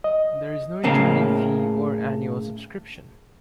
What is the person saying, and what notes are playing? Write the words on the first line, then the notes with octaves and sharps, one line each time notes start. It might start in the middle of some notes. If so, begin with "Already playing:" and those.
There is no joining fee or annual subscription.
D#5
A2 C#3 A#3